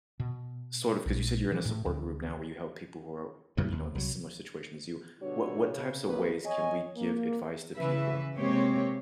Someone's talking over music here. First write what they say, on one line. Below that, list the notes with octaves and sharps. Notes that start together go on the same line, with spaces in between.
sort of 'cause you said you're in a support group now where you help people who are are, you know, in the similar situation as you, what what types of ways can we give advice to people,
B2
A#1
E3
A2
D2
A1 F#2 D3 F#3
D#2
C2 F#3
B2 D3 G3 D4 F#4 C#5
C#3
B1 D#3 F#3 A#3 G4 B4
C#5 D#5 G#5
A#3
C#3 E3 B4 E5
C3 G#3 A#3 C4 G4 C#5